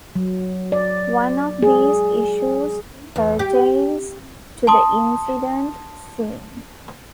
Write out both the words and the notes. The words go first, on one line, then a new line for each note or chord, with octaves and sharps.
One of these issues pertains to the incident scene.
F#3
D5
G#4
E2
G4
A5 C6 D#6